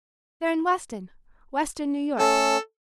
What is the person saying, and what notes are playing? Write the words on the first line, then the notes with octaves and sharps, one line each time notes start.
"They're in Weston--Weston, New York."
A3 C#4 A4